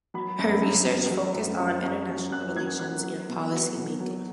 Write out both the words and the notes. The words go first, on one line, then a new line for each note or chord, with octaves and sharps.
Her research focused on international relations and policymaking.
F#3 B5
F#2
B5
F#2
F#3
F#3
F#2
F#2 C#6
F#2
F#3
F#2 F#6
F#3 G#6
F#3 F#6
F#3
B2
F#3
B2
F#3